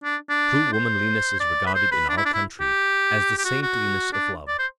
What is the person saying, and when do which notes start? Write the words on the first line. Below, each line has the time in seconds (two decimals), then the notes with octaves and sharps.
True womanliness is regarded in our country as the saintliness of love.
0.04 D4
0.29 D4
0.73 C5
1.40 D5
1.66 B4
1.75 C5
1.92 B4
2.09 D4
2.17 E4
2.26 D4
2.34 E4
2.60 G4
3.38 G4
3.45 F#4
3.62 F#4
4.13 D4
4.48 D5
4.59 C5